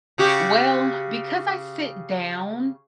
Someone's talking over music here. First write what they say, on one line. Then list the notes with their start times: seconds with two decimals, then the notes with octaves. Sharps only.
Well, because I sit down
0.18 C#3 F#4 G4